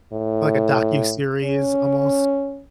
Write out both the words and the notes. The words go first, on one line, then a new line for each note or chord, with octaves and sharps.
Like, a docuseries almost?
A2
C#4